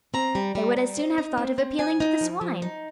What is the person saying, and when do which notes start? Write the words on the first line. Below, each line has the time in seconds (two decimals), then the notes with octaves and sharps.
They would as soon have thought of appealing to the swine.
0.14 C4 A#5
0.35 G3
0.55 G3
0.77 G3
0.97 C4
1.18 D#4
1.38 C4
1.58 C4
1.79 F3 G#5
2.00 D#4
2.21 F3
2.41 F3
2.62 D#4